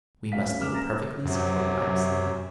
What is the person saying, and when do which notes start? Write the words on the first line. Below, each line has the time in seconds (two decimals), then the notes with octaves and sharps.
We must live perfectly separate lives, then.
0.32 D2 A2 C#4 F5 B6
0.60 F#1 C#2 G2 D6 F6 E7
0.73 A#5 A6 A#6 E7
1.25 F#2 C3 F#3